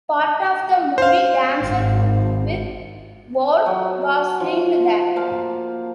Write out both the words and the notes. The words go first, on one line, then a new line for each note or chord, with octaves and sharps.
Part of the movie "Dances with Wolves" was filmed there.
C5 F5
G#1
F#3
F3
A#3 C5 F5 A5